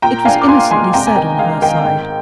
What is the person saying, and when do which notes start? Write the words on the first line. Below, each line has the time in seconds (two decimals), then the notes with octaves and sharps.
It was innocently said, on her side.
0.02 A#2 G5 A#5
0.25 D4 F5 G#5
0.42 D6
0.48 D4 G#5 C6
0.71 G#3 G#5 C6
0.94 C3 G5 A#5
1.07 G#5
1.16 D#3 G5
1.39 G#3 F5
1.62 D#3 G5
1.85 G#2